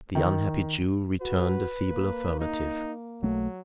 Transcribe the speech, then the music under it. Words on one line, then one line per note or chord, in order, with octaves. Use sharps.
The unhappy Jew returned a feeble affirmative.
D#3
F#4 B4
A#3
D#4
B1 F#3 A3